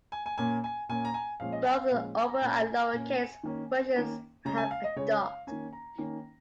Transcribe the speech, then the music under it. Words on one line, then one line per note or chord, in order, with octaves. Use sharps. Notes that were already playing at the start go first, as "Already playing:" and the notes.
Both the upper and lower case versions have a dot.
G#5
G#5
A#2 A#3 C#4 G#5
G#5
A#2 A#3 C#4 G#5
A#5
G#5
A#2 F3 G#3 C#4 F5
D#5
G#5
F5
A#2 F3 G#3 C#4 F5
G#5
A#5
A#2 A#3 C#4 G#5
A#2 A#3 C#4
D#3 A#3 C#4
D#3 A#3 C#4
C#3 G#3 C#4 A#5
G#5
F5
D#5
C#3 G#3 C#4 C#5
F5
D#3 A#3 C#4 G#5
A#5
D#3 A#3 C#4